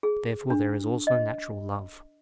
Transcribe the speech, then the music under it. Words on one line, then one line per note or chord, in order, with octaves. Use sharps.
Therefore there is also natural love.
G#4
D4
D#5